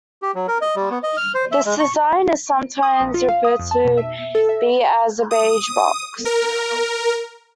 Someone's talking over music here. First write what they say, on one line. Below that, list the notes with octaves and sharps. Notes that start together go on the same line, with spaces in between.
This design is sometimes referred to be as a "beige box".
G4
F#3
A#4
D#5
G3
B3
D#5
F6
C5
E5
G#3
C#6
D#6
A#1
F4
F5
D#6
F2
A5
B2
E5
A4
E5
D#6
A#4